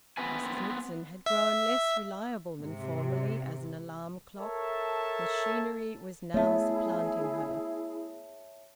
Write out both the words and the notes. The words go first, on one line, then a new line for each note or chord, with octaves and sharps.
Mrs Nixon had grown less reliable than formerly as an alarm clock; machinery was now supplanting her.
B3 C4 B4 G#5
E5
G#2 C3
A4 A#4 C#5 E5 A5
A3 B3 E4 G#4 C#5 E5 A5